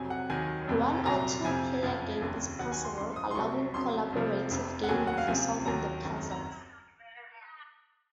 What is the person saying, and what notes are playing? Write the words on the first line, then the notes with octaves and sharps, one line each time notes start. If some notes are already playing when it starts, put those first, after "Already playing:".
One or two-player game is possible, allowing collaborative gaming for solving the puzzles.
Already playing: F2 C3 F#3 G#5
F#5
D#2 D#3 F#3 G#5
F1 F2 C3
C2 A#2 F#3 A#5
F2 C3 F3 G#5
F#1 F2 C#3 F3
F1 D#2 C#3
D#2 D#3 F#3 F#5
G#5
C6
F#1 F#2 F3 C6
D#6
C6
C2 C3 F#3 C#6
F1 F2 C#3 F#3 C6
C2 C3 F3
F1 F2 C3
F#5
D#2 C#3 F#3 G#5
F#5
F5
C#2 C3 F3 G#5
D#2 D#3 F#3 A#5
F#1 F2 D#3 F#3
A#5